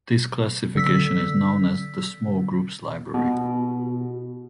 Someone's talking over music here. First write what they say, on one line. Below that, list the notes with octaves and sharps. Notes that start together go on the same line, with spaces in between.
This classification is known as the Small Groups Library.
D3 E6 B6
B2